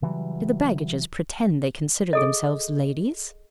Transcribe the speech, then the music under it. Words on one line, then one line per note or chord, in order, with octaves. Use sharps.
Did the baggages pretend they considered themselves ladies?
C#3 E3 F#3 G3
G#4 A4 D#5